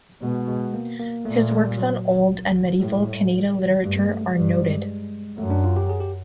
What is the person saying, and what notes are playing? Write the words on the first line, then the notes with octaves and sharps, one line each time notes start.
His works on Old and Medieval Kannada literature are noted.
B2 G#3
G#3
A#3
A#3
A#2 A3
A3
G#3
G3
F#3
A2 G3
G2 A3
A#3
A3
G#3
G2 F#3
G#3
F#2 A3
D4
F4
G4
G#4
G4